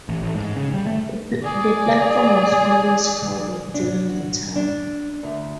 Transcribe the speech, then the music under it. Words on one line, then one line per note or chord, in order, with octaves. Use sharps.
The platform was always crowded during the time.
A1
A1
G#2
C#3
G3
A3
G#4 D5
D4
F#4
D4
D2